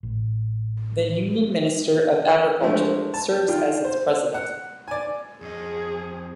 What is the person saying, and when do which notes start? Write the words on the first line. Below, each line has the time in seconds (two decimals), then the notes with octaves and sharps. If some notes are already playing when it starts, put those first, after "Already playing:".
The Union Minister of Agriculture serves as its president.
0.03 A1
2.61 E3 F3 G#3 A3 D4
3.14 A5
3.48 D#3 F4 G5
3.84 C5
4.34 F#5
4.88 D5 G#5
5.42 F2 G#4 D#5